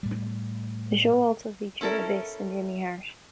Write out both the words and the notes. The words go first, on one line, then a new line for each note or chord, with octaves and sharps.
The show also featured Abyss and Jimmy Hart.
A2 G3
C#4 E4 A4 A#4